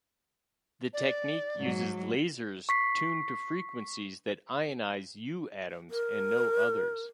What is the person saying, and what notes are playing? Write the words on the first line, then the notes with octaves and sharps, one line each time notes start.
The technique uses lasers tuned to frequencies that ionize U atoms and no others.
D5
G#2 F#3
C#6 B6 C7
A#4